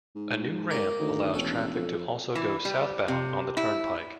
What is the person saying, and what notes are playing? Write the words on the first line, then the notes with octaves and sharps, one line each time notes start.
A new ramp allows traffic to also go southbound on the Turnpike.
G#2
A#3 A#4 A#5
D2 D#3
E1 A1 C#4 A4
F2
E3
G3
C3
E4